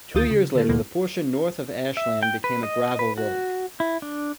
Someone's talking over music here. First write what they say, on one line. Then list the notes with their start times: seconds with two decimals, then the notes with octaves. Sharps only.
Two years later, the portion north of Ashland became a gravel road.
0.15 D2 D#3 F4 D#6 G6 A6
0.31 C#3
0.55 D3 A3 A#3
0.69 D#2 B2 F3 A#3
1.97 E5
2.23 G5
2.44 B4
2.63 D#5
2.99 B4
3.18 F#4
3.80 E4
4.02 D4